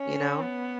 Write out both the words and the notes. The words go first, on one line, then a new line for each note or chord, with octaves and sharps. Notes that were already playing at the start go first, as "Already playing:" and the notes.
You know?
Already playing: C#4
B3